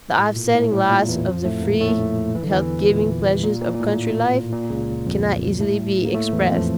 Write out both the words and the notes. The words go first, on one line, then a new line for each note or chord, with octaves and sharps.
The offsetting loss of the free health-giving pleasures of country life cannot easily be expressed.
A2
A#2
A2
A2
A#2
E2 E3
F2 F3
A2 A3
A#2 A#3
A2 A3
E3
D3
E2 E3
A#2
A#2
A#2
A#2
A2
A#2
C#2 C#3
F2 F3
A2 A3
A#3
A2 A3
E2 E3
F2 F3